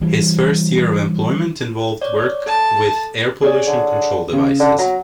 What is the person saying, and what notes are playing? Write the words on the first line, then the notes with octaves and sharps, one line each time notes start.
His first year of employment involved work with air pollution control devices.
E3 G3
C#5 D5
A4 A5
G#4 C#5 D5
D3
C#3
D3
F#3 A#5